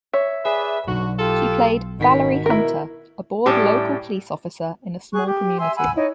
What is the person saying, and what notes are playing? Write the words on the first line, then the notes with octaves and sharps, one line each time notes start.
She played "Valerie Hunter", a bored local police officer in a small community.
C#5 E5
G#4 B4 D5 E5
B1 D3 F#4
F4 G4 A4
G#1 B2 D#3 B6
B2 E4 A#4
A2 G3 C#4 G4
G#4 C#6 F#6
G4
E5 G#5 C6 E6
F#5 G#5 B5 E6
D#4 E4 C#5